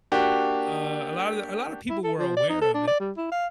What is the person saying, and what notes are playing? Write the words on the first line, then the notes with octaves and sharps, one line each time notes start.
uh, a lotta a lotta people were aware of it,
A#3 D4 F#4 G4
E4
A4
F3
D5
D#4
A4
D4
D5
G3
E4
F5